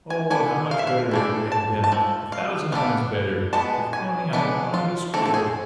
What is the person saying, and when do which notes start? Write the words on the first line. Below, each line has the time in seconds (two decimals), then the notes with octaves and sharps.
Oh, how much better it would have been, a thousand times better, if only I had gone to school!
0.10 G#5
0.30 F3 B3 D4 G#5
0.71 F5
0.79 E5
0.87 F5
1.11 E3 A3 D4
1.52 A5
1.84 A5
1.92 F3 A3
2.32 F5
2.72 E3 B3 D4 F5
3.53 G#3 B3 A5
3.93 G#5
4.33 G#3 B3 D4 B4
4.74 F4
5.14 F3 A3 C4 A4
5.26 A4
5.34 G#4